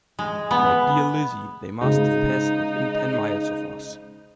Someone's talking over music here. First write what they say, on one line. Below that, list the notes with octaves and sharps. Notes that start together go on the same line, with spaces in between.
My dear Lizzy, they must have passed within ten miles of us.
G#3
B3
G#2 C#3 D#4